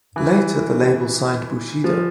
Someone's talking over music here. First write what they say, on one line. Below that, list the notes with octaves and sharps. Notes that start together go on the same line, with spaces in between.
Later, the label also signed Bushido.
E3
F3